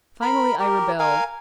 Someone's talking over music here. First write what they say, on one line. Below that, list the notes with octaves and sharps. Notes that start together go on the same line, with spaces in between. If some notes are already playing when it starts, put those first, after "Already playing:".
Finally I rebelled.
A#4 B5
G4 A#4
A#4 F5 G#5